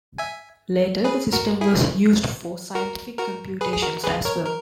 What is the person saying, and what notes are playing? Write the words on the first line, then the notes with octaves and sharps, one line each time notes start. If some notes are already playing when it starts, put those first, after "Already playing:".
Later, the system was used for scientific computations as well.
E5 G#5
G#4 B4
F#4 A#4
E4 G#4
F#4 A#4
F#4 A#4
G#4 B4
G#4
F#4 A#4
G#4 B4
A#4 C#5
A#4